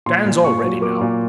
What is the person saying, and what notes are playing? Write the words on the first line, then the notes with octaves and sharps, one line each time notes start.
Dan's already now.
A#2 C6
A#2
A#2 C#6
F#3
A#3 D6
A#2